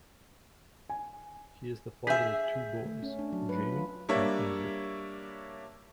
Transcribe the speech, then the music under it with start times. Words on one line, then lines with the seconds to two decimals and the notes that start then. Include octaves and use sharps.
He is the father of two boys, Jamie and Andrew.
0.89 G#5
2.07 G#4 E5 G#5 G6 B6
2.86 A3
3.03 C#4
3.19 D4
3.33 F#3
3.49 B4
3.72 F4
4.09 G3 A#3 D4 C#5 E5